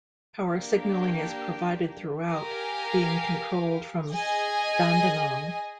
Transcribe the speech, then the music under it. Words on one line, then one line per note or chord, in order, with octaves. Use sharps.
Power signalling is provided throughout, being controlled from Dandenong.
A#3 D4 G4
G4 A#4 F5 G#5
G#4 D#5 G#5